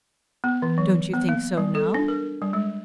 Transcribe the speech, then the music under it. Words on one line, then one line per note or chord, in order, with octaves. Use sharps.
"Don't you think so, now?"
B3
E3
F#3
B3
A#3
G3
A4
D4
A#4
G3
G#3